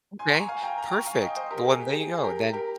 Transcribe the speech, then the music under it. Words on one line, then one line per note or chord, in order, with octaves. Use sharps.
Okay. Perfect. The one there you go. Then
G#5 C6
A#5 C#6
F5 G#5
G5 A#5
G5 A#5
A#5 C#6
F5 G#5
D#5 G5
C5 D#5
G4 A#4
G#4
G4
G#4
G4 A#4
G4 A#4